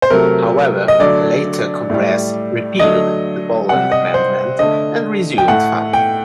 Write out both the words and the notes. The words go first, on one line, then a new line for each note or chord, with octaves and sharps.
However, a later Congress repealed the Boland Amendment and resumed funding.
C5
C3 F#3 A3 A#4
D#5
D3 F#3 A3 D5
A2 G3
D3 F#3 A3 D#5
C3 G3 F#5
D#5
C5
D3 A3 D#5
G5
A2 A3 F#5
G5